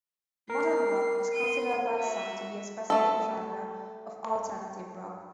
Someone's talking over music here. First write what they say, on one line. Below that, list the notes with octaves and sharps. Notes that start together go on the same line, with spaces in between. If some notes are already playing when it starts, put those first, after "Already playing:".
Modern rock is considered by some to be a specific genre of alternative rock.
A#4 C7
C6 D#7
F#4 E5
A3 A4